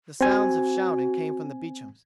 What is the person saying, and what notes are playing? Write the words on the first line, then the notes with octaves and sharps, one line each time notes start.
The sounds of shouting came from the Beecham's.
C4 F#4 G#5